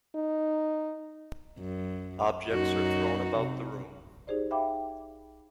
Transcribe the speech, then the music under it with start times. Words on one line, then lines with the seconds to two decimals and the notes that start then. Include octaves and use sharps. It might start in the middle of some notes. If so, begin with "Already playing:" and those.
Objects are thrown about the room.
0.15 D#4
1.59 F#2
2.50 F#2 D#4 F#4
3.37 C3
4.27 D#4 G4 G#4 C5 D5
4.51 E5 F5 G5 B5 D6